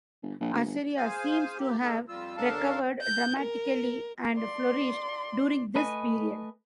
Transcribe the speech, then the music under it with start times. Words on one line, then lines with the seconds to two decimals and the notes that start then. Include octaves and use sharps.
Assyria seems to have recovered dramatically, and flourished during this period.
0.23 G1
0.40 A#1
0.54 D2
0.66 G1
0.97 G#4 C5 F5 G#5
1.58 A#3 G4
1.82 G#3 D#4 A4
2.09 F2 G3 F4 E6
2.37 D#2 D4 A4 A#4 F5 A5
3.02 G6
3.40 A#4
4.35 D5 C6
5.75 A3 B4 D#5 G#5